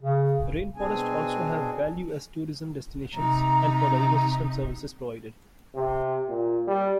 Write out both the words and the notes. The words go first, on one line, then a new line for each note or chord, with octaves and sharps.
Rainforests also have value as tourism destinations and for the ecosystem services provided.
C#3
B2 C4 D4 G#4 G#5
C3 D#4 A#5
C3
A#2
G3